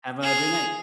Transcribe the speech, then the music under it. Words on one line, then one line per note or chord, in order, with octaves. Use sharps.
Have a great night.
G#4 F7